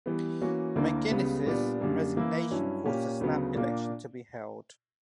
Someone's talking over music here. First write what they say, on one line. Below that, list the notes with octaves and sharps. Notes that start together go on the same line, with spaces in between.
McGuinness's resignation caused a snap election to be held.
E3 G3 B3
E3 A#3 C#4 F#4
D2 D3 A#3 E4 A#4
C#2 C#3 G3 B3
A#2 G3 B3 D4
F#2 D3 G3 A#3
E3 A#3 E4
G2 F#3 C#4 E4
A#2 A#3 C#4 G4
D2 C#3 F#3 B3
A#2 A#3 D4